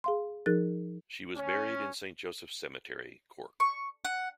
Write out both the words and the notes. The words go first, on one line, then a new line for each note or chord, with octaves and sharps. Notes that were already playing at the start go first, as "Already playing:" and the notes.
She was buried in Saint Joseph's Cemetery, Cork.
G#4 F5 C6
F3 D#4 G#4 A#4 F#6 A6
C#4
C#6
F#5